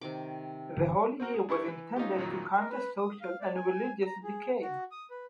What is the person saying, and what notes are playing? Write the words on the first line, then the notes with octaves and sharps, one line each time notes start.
The Holy year was intended to counter social and religious decay.
C3 D#3 D6
G1 D3 E3
C4 F#4 A#4
G#4
D4 E4 G4 C#6
E3
C#4 D#4 F4 G4
A#1 F2 A#2 D#3 F#3
A#4
B4
D#6
F5
D5
G#5
A#5
G#4
F#4
D#6
B4